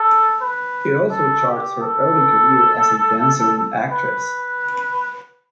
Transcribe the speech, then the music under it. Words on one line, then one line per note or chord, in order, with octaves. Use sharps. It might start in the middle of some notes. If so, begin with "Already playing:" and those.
It also charts her early career as a dancer and actress.
Already playing: A4
B4
A4
G4
A4
B4